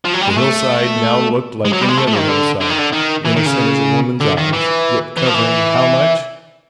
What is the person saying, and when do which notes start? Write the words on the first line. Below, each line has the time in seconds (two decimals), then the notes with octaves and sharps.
The hillside now looked like any other hillside, innocent as a woman's eyes, yet covering how much!
0.05 F3
0.13 F#3
0.21 G3
0.30 G#3
0.38 A3
1.65 G#3
1.73 F#3
1.81 G3
1.89 G#3
1.97 A3
2.07 A3
2.18 D#3
2.28 D3
2.61 D3
2.70 D#3
2.78 D3
2.93 D#3
3.25 E3
3.36 D#3
3.46 C#3
4.21 D3
4.38 D#3
4.53 E3
5.17 E3
5.26 F3
5.34 E3